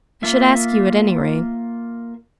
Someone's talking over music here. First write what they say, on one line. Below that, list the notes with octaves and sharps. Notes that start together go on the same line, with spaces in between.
I should ask you at any rate.
A#3 F4 E5